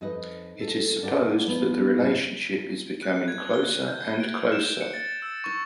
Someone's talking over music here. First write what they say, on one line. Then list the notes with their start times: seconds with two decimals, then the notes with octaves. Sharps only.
It is supposed that the relationship is becoming closer and closer.
0.01 F2 D#4 B4 D#5
0.60 A4
1.03 D4 A#4 F5 F#5
1.45 D2 F3 B3
1.98 F2 A2 C#3 G3 B3 E4
3.03 F#6
3.28 G#6
3.54 G7
3.88 G6
4.20 D7
4.52 E7
4.81 C#7
4.94 A6
5.22 E6
5.44 C#6